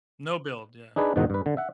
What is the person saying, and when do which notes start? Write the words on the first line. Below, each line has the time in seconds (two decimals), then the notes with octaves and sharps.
No build, yeah.
0.96 D4 D#4 G#4 B4
1.16 E2 G#2 B2 D#3 D#4 F#5
1.30 G2 B4
1.46 D3
1.57 E5 F#5